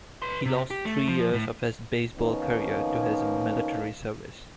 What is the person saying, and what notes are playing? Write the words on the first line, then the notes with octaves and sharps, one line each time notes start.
He lost three years of his baseball career to his military service.
B4 C6
C3
G4
A3
F3
A2
D#3 F3 A#3 B3 C#4 D#4